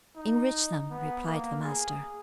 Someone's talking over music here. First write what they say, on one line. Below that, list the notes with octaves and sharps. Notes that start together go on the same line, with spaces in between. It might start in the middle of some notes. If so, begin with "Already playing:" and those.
"Enrich them," replied the Master.
D#4
B3
A#3
G#4